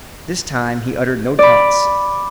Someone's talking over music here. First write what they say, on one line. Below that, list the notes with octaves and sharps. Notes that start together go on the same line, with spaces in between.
This time he uttered no taunts.
D5 B5